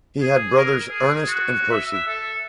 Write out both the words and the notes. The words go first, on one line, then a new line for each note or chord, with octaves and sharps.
He had brothers Ernest and Percy.
G#4
A#4
G#4
F#4
E5
E5
A4